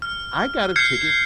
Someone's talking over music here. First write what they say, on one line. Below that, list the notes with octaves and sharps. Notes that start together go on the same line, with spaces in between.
I got a ticket
F6
F6 G6 G#6 C7 C#7